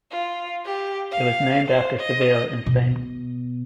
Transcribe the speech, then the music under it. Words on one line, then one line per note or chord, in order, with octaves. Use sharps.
It was named after Seville, in Spain.
F4
G4
F5
C5
D#5
B2